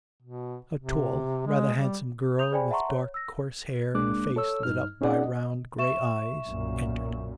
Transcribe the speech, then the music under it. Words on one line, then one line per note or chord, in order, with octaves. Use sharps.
A tall, rather handsome girl, with dark coarse hair and a face lit up by round grey eyes, entered.
B2
C3
G#3
G3
D#6 G6 F7
G#4 C5 D5 G5 G#5 B5
E5 F#5 A5 A#5 C6 C#6
C#5
E6 A#6
C2 G#3 A#3 D4 D6 F#6
A4 C#5 E6
G2 D#4 F6
C4 C#4 D#4 G#4 D5 F#5
D#5
E5 C#6 E7
B1 F#2 A#2